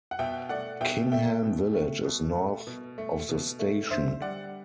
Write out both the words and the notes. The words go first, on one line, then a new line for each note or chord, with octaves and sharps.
Kingham village is north of the station.
F#5
B2 E5 G5
A3 D5 F#5
B2 E5 G5
A3 E5 G5
B2
A3
B2
A3
B2
A3
B2
A3
D3 C5 E5
G3 D5 F#5